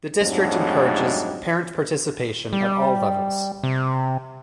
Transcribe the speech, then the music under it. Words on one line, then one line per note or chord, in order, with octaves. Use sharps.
The district encourages parent participation at all levels.
F2 G#2 F#3 G3 A3 D4
G3
C3